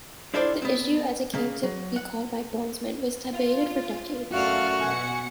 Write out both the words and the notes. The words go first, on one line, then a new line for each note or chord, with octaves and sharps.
"The issue", as it came to be called by Bonesmen, was debated for decades.
D4 E4 F4 A4 C5 D5
B3 C4
C#3 A#3
F#3
F#5
F4
F#2 A3 F#4 A4 D5 F5 F6 F#6
B2 F#5 G#5 C#7